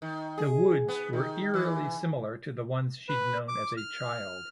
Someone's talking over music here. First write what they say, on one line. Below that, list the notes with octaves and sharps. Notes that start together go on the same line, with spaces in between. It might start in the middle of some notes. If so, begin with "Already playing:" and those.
The woods were eerily similar to the ones she'd known as a child.
D#3
G#4
B3
D#3
E3
B4
D6
F6